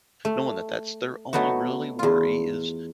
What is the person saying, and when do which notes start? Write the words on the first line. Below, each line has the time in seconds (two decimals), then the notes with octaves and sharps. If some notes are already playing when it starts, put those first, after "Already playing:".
knowing that that's their only really worry is
0.25 A3
1.33 F#3 A3 B3 D#4 F#4
1.99 E2 F4